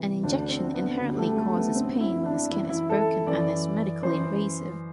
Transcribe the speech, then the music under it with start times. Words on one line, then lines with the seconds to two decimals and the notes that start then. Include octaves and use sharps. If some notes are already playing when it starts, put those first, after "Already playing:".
An injection inherently causes pain when the skin is broken and is medically invasive.
Already playing: C3 E3
0.23 D2 D4
0.27 D3
0.48 C4
0.74 B3
0.99 D2 D3
1.11 G3
1.18 A3
1.37 A3
1.56 B3
1.75 F#2 D3 C4
2.00 E4
2.26 D4
2.51 F#2 E3 E4
2.69 E4
2.90 A4
3.27 F#2 E3 D5
4.02 F#2 E3 C5